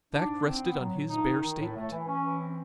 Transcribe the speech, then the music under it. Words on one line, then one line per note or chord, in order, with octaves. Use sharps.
The fact rested on his bare statement.
G#2 D4
G#2
C4
B3
F#3
A#2
G2 D#4
D#3
D#3
A2
A3
E3
E3 C#4
E3
C4